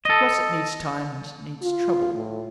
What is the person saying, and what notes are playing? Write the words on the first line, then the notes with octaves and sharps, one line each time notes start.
To cross it needs time and needs trouble.
A4 D#5
F4
A2